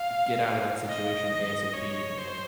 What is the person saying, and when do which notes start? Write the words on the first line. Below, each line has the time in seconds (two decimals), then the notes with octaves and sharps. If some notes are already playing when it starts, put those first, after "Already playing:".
get out of that situation ASAP and
Already playing: F5
0.88 D#5
1.73 C#5
2.17 C5